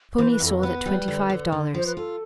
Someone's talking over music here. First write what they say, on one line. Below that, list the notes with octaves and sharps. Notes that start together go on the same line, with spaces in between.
Ponies sold at twenty-five dollars.
E3 C5
B4
F2 A4
B3 B4
G3
D3
D3
D3
F3 C5
B4
F4 A4